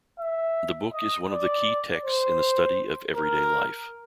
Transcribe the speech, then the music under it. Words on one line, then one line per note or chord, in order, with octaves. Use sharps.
The book is one of the key texts in the study of everyday life.
E5
D#5
D5
C5
A#4